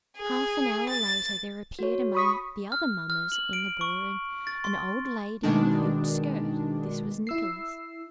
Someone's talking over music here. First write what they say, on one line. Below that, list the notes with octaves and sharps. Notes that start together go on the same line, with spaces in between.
Half an hour later there appeared among the other mummers in the ballroom an old lady in a hooped skirt--this was Nicholas.
G#4
A6
F#4 C#5
B5 C#6 D#6 B6
F6
F6
F#7
D7
C#6
A6
C6
B2 D#3 G#3 D4
E4 E6 C7